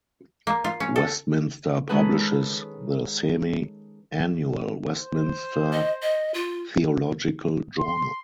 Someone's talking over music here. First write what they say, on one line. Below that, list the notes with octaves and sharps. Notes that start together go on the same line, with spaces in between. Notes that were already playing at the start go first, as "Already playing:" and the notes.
Westminster publishes the semi-annual "Westminster Theological Journal".
A#3
F4
C#4
A4
D#3 G#3 C#4 G#4 A4 B4
C5
D#5
D#5
F4
C6